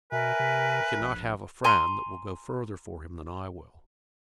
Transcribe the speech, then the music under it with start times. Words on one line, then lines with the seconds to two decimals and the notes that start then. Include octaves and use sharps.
He cannot have a friend that will go further for him than I will.
0.12 B2 A#4 B4 E5 G#5
0.39 C3
1.00 A#1
1.64 G#5 A#5 C6